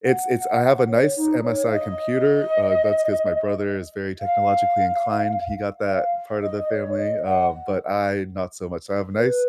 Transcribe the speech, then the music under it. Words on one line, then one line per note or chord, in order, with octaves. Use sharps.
it's it's I have a nice MSI computer, uh, that's 'cause my brother is very technologically inclined, he got that part of the family, uh, but I not so much, I have a nice
F#5
C#5
D#4
C#5
F5
D#5
F5
F5
D#5
D#5
C#5
D#5
F#5
B4